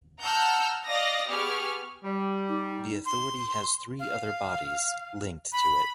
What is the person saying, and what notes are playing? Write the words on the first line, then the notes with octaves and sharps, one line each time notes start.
The authority has three other bodies linked to it.
F#5 A5 A#5 E6 F6 G6
D5 D#5 F5 D6 D#6 A#6
B3 G4 G#4 C#6 F6
G3
D#4
C6
F5
B5